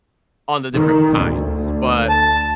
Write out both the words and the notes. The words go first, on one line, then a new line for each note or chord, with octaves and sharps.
on the different kinds, but
D#3
D2
A5